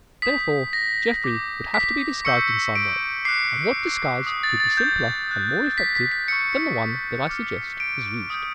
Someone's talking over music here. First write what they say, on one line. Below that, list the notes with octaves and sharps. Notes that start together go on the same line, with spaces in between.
Therefore Jeffrey would have to be disguised in some way; and what disguise could be simpler and more effective than the one that I suggest was used?
D#6 G6 B6
A#6
D6 G6
B6
C#6 E6 G6 C#7
D7
D6 F#6 C7
D#6 F#6
A6
A6
G6
D#6 F#6
B6
B6
B6
C#6 E6 G6 C#7
D6 F6
D7
D#6 G6